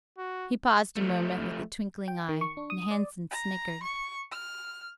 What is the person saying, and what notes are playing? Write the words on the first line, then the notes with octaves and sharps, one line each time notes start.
He paused a moment with a twinkling eye, and Hansen snickered.
F#4
F3 A3
G5
D#3
C#6
D4
D#6
D5
A#5
C#6
F6